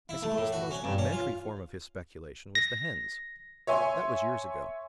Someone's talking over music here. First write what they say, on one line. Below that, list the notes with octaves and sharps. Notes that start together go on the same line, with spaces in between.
I suppose the most rudimentary form of his speculation was the hens. That was years ago.
E4
A3
A2
F#4
C#4
G2
C#4
F4
A#6
C#5 E5 G#5 C6